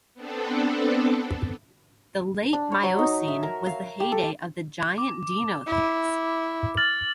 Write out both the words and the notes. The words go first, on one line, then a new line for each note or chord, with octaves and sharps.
The late Miocene was the heyday of the giant deinotheres.
B3 C4 D4 A4
D4
C#5
F#3
D#4
E5
A#4
F5
G4
A4
D6
E4
F6 A6 F#7